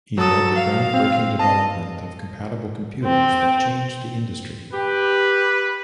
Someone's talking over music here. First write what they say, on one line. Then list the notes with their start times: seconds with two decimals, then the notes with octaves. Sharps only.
He led the groundbreaking development of compatible computers that changed the industry.
0.18 F#3 A4 D#6
0.55 F5
0.94 C4
1.39 D#5 A5
3.04 C4
4.73 G4 B4